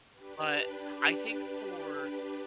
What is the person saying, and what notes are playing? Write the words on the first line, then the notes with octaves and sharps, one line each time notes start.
but I think for
D4 G4 B4